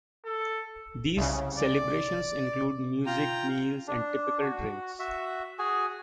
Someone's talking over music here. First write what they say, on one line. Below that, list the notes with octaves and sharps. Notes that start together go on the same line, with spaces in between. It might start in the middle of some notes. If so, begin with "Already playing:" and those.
These celebrations include music, meals and typical drinks.
A4
C2 C#3
D5
F4 G5 A#5
D4
F#4
F#4 E5
F#4 G#4 G#5